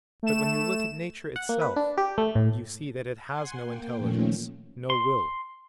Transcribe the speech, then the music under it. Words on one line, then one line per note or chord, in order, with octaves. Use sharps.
But when you look at Nature itself, you see that it has no intelligence, no will.
A3 E7
F#5
A#3
B4
D4
G4
A3
A2
F#5 G#5 C6
A#3 G5
A#2 D#3 F3 A3 C#4
C6